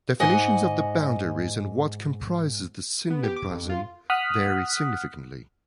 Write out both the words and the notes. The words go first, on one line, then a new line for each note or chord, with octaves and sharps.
Definitions of the boundaries and what comprises the Sydney basin vary significantly.
G#2 D#5 F#5 G#5
B3
G4
D6
F2
F4
F#5 D#6 F6 F#6 B6